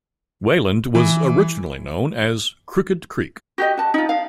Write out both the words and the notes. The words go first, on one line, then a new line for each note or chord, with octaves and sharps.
Wayland was originally known as Crooked Creek.
E3
F#4 G4 D#5
F#4 A5
D#4 F4
F5